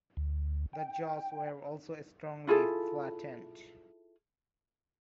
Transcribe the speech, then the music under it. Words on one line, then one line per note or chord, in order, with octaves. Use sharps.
The jaws were also strongly flattened.
D2
G5
E4 F4 G#4 A4